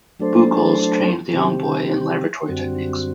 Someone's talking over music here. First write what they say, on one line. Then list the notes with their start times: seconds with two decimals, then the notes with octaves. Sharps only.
Bucholz trained the young boy in laboratory techniques.
0.19 F#3 A3 D4 A4 C5
1.33 C3 D#3 G3 C4 G4
2.46 F#2 D3 G3 C4 F#4